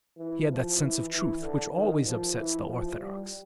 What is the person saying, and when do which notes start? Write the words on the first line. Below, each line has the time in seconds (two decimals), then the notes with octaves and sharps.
He had that sense of truth which always upsets the orthodox.
0.19 E3
0.51 F3
0.81 E3
1.12 E3
1.43 D3
1.74 D#3
2.05 F3
2.36 E3
2.68 F3
2.99 G3